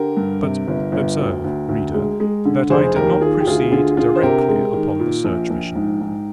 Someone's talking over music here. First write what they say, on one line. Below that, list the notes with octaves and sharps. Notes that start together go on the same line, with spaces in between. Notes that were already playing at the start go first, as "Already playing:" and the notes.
But, observe, reader, that I did not proceed directly upon the search mission.
Already playing: D3 G4 A#4
G2
C3
G1
G1
D2
D2
D2
G#3
G#3
D3
F1 G#4 C5
D#2 G4 A#4
D#3 F4 G#4
G4
D2 F4 G#4
D3 F4 G#4
D3 F4 G#4
C5
C3 G4 A#4
G#3
D#3
A#2
A#1
A#1
G#2
G#2